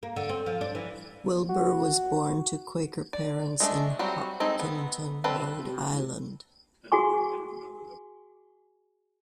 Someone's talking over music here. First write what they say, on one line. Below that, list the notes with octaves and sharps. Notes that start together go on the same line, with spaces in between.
Wilbur was born to Quaker parents in Hopkinton, Rhode Island.
A#3
D3
C4
F3
D4
E3
F#4
D5
G#3 A3 D4
F#3 G3 C4 F#4
G#3 C4 D#4 A4
B3
G3 C4 A4 B4
F#4 G#4 G#5 C#6